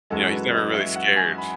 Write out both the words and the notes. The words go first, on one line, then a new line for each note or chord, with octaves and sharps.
you know, he's never really scared,
F#2 E3 G#3 A4
B4
D#5
E5
F#5
G#5
B5